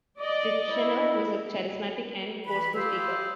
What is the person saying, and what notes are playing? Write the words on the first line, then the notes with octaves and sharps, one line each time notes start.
Titchener was a charismatic and forceful speaker.
D5 D#5
E4 D#5
E3 B5
F4 G4 G#4 C5 E6